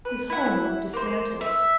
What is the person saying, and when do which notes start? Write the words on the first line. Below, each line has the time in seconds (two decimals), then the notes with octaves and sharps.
His home was dismantled.
0.05 B4
0.30 E4 F#5
0.93 A#3 C5
1.41 E5